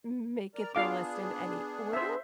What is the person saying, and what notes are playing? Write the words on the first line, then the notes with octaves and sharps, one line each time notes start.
m make it the list in any order.
A#4 D5 A#5
B3 D4 F4 G#4 F5 D6
C5 E5